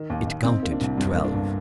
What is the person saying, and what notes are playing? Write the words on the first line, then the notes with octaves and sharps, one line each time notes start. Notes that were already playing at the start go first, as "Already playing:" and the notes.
It counted twelve.
Already playing: D#3
D#2
D#2
C3 C4 D#4
A#3
D4
C2
G2 C4
A#3
D4
G1